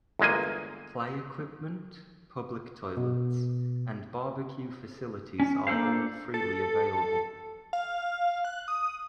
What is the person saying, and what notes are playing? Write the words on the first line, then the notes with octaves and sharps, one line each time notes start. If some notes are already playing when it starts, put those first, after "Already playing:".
Play equipment, public toilets, and barbecue facilities are all freely available.
G1 E2 G#3 A#3 G#5
B2
C#4
A#3 D4 A4 C5 F5
A4
F5
F#6
D#6